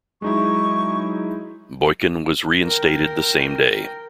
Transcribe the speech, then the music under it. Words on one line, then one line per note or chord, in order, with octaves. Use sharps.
Boykin was reinstated the same day.
F#3 G#3 D#4 E4 C#6
A#4 G5